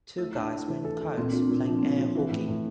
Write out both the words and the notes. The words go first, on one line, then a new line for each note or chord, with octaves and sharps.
Two guys wearing coats playing air hockey.
A3 E4
D4
A3
E3
A4
A4
A#2 C4
D4
F4
D4
A#2 E4
F3 D4
C4
A#2
D4
F3 C4
E3 E4
A2
A2